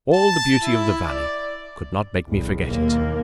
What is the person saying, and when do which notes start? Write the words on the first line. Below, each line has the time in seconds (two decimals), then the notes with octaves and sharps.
All the beauty of the valley could not make me forget it.
0.13 A5
0.62 E4
1.06 D5
2.27 B1 E2
2.67 D#2 A#3